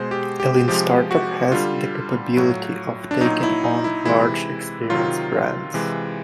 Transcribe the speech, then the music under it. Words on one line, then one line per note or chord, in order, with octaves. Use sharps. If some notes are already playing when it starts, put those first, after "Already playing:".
A lean startup has the capability of taking on large experienced brands.
Already playing: B2 G#3 C5
G4
G4
C3 F3 G#3 G4
F#4
D3 G3 F4
A2 F#3
D4
A#2 F#3 D#4
E4
D#4
E4
C3 E3 G#3 E4
C3 D#3 F#3 F4
C3 E3 G#3